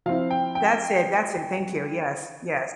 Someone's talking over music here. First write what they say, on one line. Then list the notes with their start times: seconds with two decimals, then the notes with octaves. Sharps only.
That's it. That's it, thank you. Yes, yes.
0.06 F3 C4 E4 F5
0.31 G5
0.55 G5